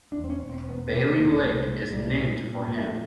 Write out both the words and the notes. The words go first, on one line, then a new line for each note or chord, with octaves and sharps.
Bailey Lake is named for him.
D4
E2
C4
C#4
E1
C4
E1 B3
C3 A#3
B3
E1 A#3
C2 A3
A#2 G#3
C2 G3
A#2
A#2
A#2
A#3
A3